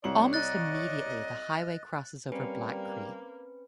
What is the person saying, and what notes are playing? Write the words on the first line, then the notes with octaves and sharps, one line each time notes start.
Almost immediately, the highway crosses over Black Creek.
C2 C#5 D5 F#7
D#5 F#6 A6
G3 A#3 C4 C#4 B4